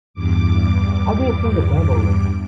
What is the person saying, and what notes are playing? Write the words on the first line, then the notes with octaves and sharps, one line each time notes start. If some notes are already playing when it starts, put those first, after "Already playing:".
How do you think the table looks?
E2 G2 D6